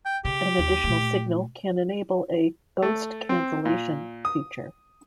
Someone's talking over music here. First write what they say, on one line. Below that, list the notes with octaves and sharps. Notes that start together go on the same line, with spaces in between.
An additional signal can enable a "Ghost Cancellation" feature.
G5
C#3 G4
D#2
A#2 A3
A3
C4
A#2
D#6